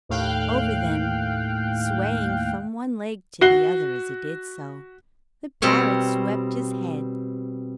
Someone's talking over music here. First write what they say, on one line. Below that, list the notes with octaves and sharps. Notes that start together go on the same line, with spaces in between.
Over them, swaying from one leg to the other as he did so, the parrot swept his head.
D#2 A2 F5 G5 F#6
F#4 F#6 C7 G7
B2 G3 C4 C#5